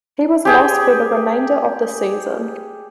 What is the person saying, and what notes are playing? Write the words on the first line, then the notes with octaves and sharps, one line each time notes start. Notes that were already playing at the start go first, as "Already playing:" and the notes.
He was lost for the remainder of the season.
G4 G#4 G5